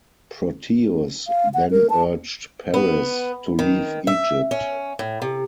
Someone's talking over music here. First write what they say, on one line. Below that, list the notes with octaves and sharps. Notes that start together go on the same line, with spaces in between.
Proteus then urged Paris to leave Egypt.
F5
F#5
A#4
A5
B3
D#3
E5
C#4
A2
C3